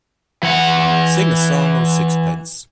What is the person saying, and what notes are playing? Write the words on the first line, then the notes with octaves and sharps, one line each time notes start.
Sing a song o' sixpence!
E3 F#5